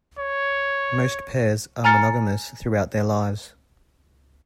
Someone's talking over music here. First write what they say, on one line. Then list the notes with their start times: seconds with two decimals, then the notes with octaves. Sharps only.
Most pairs are monogamous throughout their lives.
0.18 C#5
1.84 G#5 A#5 F6 A6 C#7